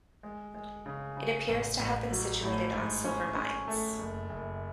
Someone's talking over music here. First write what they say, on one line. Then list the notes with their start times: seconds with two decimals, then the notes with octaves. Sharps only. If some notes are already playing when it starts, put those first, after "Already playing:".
It appears to have been situated on silver mines.
0.23 G#3
0.54 G#3
0.86 C#3
1.17 C#3
1.48 A1
1.79 A1
2.11 F#3
2.42 A2
2.74 G#2
3.05 C#4
3.36 C#4
3.68 A3
3.98 F#1
4.29 F#1